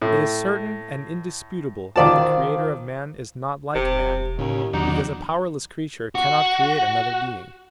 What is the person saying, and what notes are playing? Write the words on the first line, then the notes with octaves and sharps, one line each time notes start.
It is certain and indisputable that the creator of man is not like man because a powerless creature cannot create another being.
A2
D#3 F4 C5 D5 F5 A5
E1 C3
D#2 A2 C#3
E2 D#3 F#3 D4 D#4
F#4